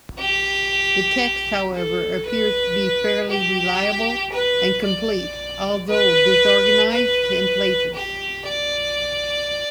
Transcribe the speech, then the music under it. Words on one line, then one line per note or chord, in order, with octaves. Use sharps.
The text, however, appears to be fairly reliable and complete, although disorganized in places.
G4
A4
B4
G4
B4
D5
B4
B4
G4
D5